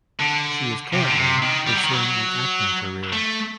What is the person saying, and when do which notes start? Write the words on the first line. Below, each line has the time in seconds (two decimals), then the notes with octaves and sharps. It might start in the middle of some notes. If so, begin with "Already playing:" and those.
She is currently pursuing an acting career.
0.20 D3
0.93 C3
1.09 D3
1.18 C3
1.42 D#3
1.67 G3
1.75 F#3
1.84 D#3
1.93 F#3
3.13 A3